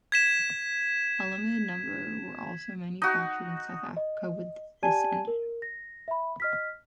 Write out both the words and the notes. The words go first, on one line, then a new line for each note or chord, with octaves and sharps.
A limited number were also manufactured in South Africa with this engine.
G#6 B6 E7
D#4 F#4
D#5
G4 D5 G#5 A5 G#6 D#7
A#4
A#6
E5 B5
D#5 F6 B6